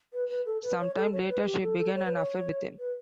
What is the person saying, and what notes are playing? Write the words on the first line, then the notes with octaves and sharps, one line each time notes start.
Some time later she began an affair with him.
B4
B4
A4
B4
C#5
A4
C#5
B4
G4
A4
A4
C#5
B4
C#5
B4